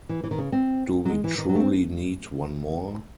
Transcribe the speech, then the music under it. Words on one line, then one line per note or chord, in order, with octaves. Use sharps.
Do we truly need one more?
E3
E3
D#3
C#3
C4
F#3
G#3
E3
D#3
F#3
A3
C4